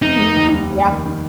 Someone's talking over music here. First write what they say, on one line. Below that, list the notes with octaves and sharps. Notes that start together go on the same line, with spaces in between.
Mhm. Yeah.
F1 D#4
F1
D#2
G3
F1
D#3
D#3